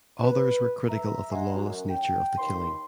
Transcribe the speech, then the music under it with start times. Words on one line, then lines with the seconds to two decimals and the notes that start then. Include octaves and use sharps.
Others were critical of the lawless nature of the killing.
0.22 B4
0.89 E5 A#5
1.32 D#5 F#5 G#5 A#5 C6
1.53 F#2
1.90 G5
2.38 D#2 B5 C6